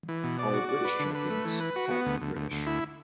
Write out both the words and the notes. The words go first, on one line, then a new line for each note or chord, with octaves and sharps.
All British Champions have been British.
E3
B2
D5
F#4
D5
B4
D3
B4
A3
E3
B4
F#4
B3
D2
D2
D2
D2
E4